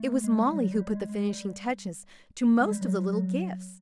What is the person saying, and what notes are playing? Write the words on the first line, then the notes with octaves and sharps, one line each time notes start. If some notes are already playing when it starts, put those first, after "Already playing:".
It was Mollie who put the finishing touches to most of the little gifts.
Already playing: A3
G#3
G3
F#3
G3
G#3
G#3
G3
G#3
G3
F#3
F#3